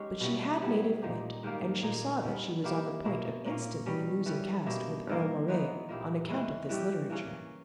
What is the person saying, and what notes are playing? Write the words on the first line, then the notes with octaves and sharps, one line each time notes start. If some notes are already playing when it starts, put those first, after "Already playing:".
But she had native wit, and she saw that she was on the point of instantly losing caste with Earle Moray on account of this literature.
Already playing: G#3 C#4 D#4 G4
B2 G3 B3 E4
G3 B3 E4 G#4
A#2 A#3 D#4 G4
G#2 D#3 G3 A#3
A#2 A#3 D#4 G#4
D#3 G3 B3
D#3 A#3 E4 G4
B2 A#3 E4
A#2 A#3 C#4
B2 G3 C#4
E3 G3 C#4
B2 A#3 E4 G4
G2 D#3 A#3
E3 G#3 B3 D#4
A#2 A#3 E4 G4
E3 G#3 C#4 E4
E3 G3 C#4 G4
E3 A#3 C#4 G#4